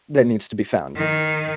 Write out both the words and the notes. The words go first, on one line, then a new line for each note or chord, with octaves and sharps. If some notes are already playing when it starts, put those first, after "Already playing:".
that needs to be found.
D#3